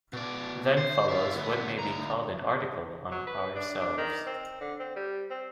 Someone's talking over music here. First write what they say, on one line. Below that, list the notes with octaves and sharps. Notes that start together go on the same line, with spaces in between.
Then follows what may be called an article on "Ourselves".
B2 D5
C5
E4 F4
D2 B3
D2 A#5
F#3
B4
D4
D4
D#3
C4
D3
C4
G3
C4